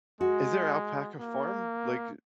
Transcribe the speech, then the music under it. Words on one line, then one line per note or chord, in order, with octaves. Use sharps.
Is there a alpaca farm, like, uh,
G#3 F#4
A#3